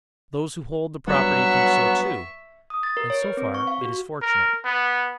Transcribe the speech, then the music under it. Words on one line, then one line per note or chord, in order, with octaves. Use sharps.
Those who hold the property think so too, and so far it is fortunate.
G2 F#3 B3 E5 F#5 C#6
D#6
A6
A#4
C#5
B4
C4
C#6
F5
F#4
A#4
B3